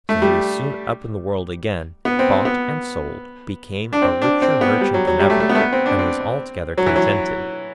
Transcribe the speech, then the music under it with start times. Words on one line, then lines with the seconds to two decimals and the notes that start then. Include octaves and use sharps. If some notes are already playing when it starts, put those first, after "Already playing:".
So he was soon up in the world again, bought and sold, became a richer merchant than ever, and was altogether contented.
0.09 A3
0.22 G3
2.05 B3
2.19 C4
2.32 C4
2.45 B3
3.93 D4
4.02 C4
4.22 D4
4.42 C4
4.61 B3
4.81 G3
4.94 F#3
5.07 F#3
5.20 G3
5.30 A3
5.40 A3
5.49 B3
5.55 A3
5.60 B3
5.73 C4
5.86 D4
5.99 C4
6.77 F#3
6.86 E3
6.96 F#3